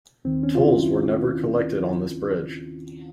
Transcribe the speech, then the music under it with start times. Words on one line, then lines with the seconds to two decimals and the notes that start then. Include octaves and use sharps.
Tolls were never collected on this bridge.
0.25 D#2 D#3 C4
0.43 C#4
0.55 F4
0.63 E4